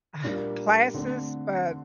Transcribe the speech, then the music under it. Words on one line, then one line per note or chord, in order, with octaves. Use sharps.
ugh, classes, but
A#2 G3 A#3 D4
D3 A3 C4